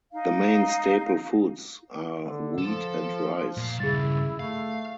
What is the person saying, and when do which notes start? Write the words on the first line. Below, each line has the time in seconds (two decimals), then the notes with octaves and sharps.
The main staple foods are wheat and rice.
0.12 D#4 F5
2.22 D3
2.58 F3 A4
3.57 A#2 F5
3.80 G2 C#3 E4 G#4 A6
4.40 A3 F5